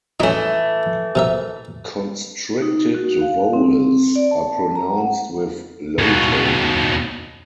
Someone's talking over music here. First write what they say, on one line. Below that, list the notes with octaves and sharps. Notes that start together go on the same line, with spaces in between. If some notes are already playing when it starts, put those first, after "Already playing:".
Constricted vowels are pronounced with low tone.
E3 A3 C#4 D#4
C3 A#4 E5
D#4
F#4
F5
C4
D5
A5
A#5
F#5
D#2 B2